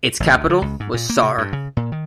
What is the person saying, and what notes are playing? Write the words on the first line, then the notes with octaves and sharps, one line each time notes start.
Its capital was Sarh.
A1
D2
D3
C#2
G#2
A#2
A#3
C3
G2
C#3
A#2
D#3